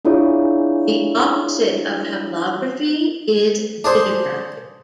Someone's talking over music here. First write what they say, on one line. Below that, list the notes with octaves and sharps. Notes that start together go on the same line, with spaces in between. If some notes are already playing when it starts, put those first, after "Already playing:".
The opposite of haplography is dittography.
D4 E4 F4 G#4 C#5
D4 G#4 C5